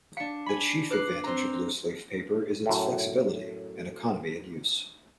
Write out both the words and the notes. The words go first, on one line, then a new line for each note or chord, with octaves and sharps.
The chief advantage of loose-leaf paper is its flexibility and economy in use.
D4 F5 C#7
G#5 B5
F4 B4 D6 F#6 C7
C4 C5 A#5
F#2 A2